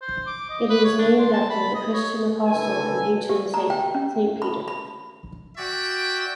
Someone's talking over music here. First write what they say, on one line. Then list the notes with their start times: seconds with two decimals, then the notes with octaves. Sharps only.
It is named after the Christian Apostle and patron saint, Saint Peter.
0.01 C5
0.27 D6
0.49 D#5
0.70 B4
0.85 C#5
0.99 D4
1.19 C6
1.33 A5
1.50 B5
1.75 D#5
1.94 C#5
2.46 F#1 D3 A4 B4 G#5
3.29 G4
3.54 A#5
3.70 G5
3.95 C#4
4.42 B5
4.68 B5
5.57 F#4 D5 E5 G5